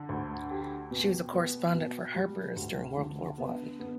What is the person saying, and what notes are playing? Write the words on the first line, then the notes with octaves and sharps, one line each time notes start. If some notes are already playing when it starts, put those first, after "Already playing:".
She was a correspondent for "Harper's" during World War One.
Already playing: D3
D2
G4
B2
B3
B2
G3
D2
D3
B3
B3